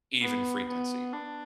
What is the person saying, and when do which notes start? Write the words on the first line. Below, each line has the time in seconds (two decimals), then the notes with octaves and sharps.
even frequency.
0.21 B3
0.68 B3
1.14 D4